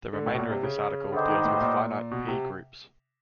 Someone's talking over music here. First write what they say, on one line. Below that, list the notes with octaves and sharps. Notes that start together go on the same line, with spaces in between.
The remainder of this article deals with finite "p"-groups.
D3
A2
B2
A#2
C3
C#3
D3 B3 D#4 G4 C5 D#5
D#3
A2
A#2
B2
C3